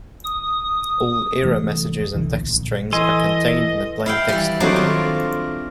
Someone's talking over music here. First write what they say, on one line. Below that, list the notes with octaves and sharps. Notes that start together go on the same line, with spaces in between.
All error messages and text strings are contained in a plain text file.
D#6
F1 E3 A3
C2 D3 E3
A#1
E3 A4 D#5 G#5 C6
E4 F5 G5
E3 G3
D#3 F#3 A3 A#3 C4 D4
F4